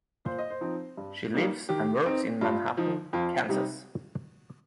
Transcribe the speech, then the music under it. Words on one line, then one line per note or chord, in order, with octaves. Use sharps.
She lives and works in Manhattan, Kansas.
A#2 C5
D#5
C5
F3 C4 D#4
G2
G3 A#3 D#4
D#3 G4
C4 D#4
G2 F4
F3 D#4
F2 F4
C3 G3 D#4